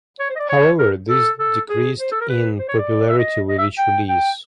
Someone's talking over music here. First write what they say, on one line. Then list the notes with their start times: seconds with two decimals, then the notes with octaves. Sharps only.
However, these decreased in popularity with each release.
0.20 C#5
0.30 C5
0.36 D#5
0.39 D5
0.49 C#5
0.79 A#4
1.09 A4
1.39 A4
1.69 G#4
1.99 C5
2.12 A4
2.21 A#4
2.29 B4
2.59 C5
2.69 C#5
2.79 D5
3.09 E5
3.19 D#5
3.49 D#5
3.58 E5
3.78 G5
4.09 G5